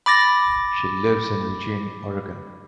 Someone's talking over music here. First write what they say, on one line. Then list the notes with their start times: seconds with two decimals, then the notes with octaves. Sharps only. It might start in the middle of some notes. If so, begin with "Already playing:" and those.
She lives in Eugene, Oregon.
0.06 B5 D6 A6 A#6